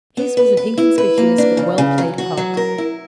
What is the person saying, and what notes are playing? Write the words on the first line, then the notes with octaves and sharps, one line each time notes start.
His was an inconspicuous but well played part.
B3
B4
B4
E4
B4
A#3
D4
C#3
C#3
F#3
F#4
F#3
A#4
E4